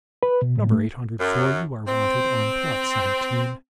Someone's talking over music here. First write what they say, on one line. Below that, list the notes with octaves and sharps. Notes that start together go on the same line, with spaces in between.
"Number Eight Hundred Four, you are wanted on Plot Seventeen."
B4
B2
A2
A3
F#2
C4